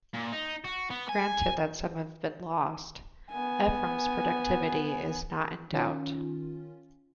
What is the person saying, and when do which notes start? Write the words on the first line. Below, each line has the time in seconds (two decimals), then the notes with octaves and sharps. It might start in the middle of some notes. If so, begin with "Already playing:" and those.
Granted that some have been lost, Ephrem's productivity is not in doubt.
0.14 A#2
0.32 D#4
0.65 F#4
0.90 B3
1.09 G#5
3.31 B3 G#5
5.73 D#3 C#4 F4